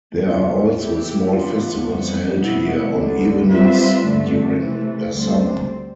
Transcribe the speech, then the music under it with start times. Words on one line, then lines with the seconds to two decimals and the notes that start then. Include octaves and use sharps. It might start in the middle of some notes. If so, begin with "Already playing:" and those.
There are also small festivals held here on evenings during the summer.
0.24 E2 C3 E3 B3 F4
0.78 E3 A3 E4 G4
1.32 E3 B3 D4 F4
1.86 F2 E3 G3 B3
2.40 B2 B3 E4
2.95 D2 D3 A3
3.48 G3 C4 F4 B4 E5
4.03 G2 D3 A3
4.58 C3 E3 A3
5.11 D2 D3 G3 C4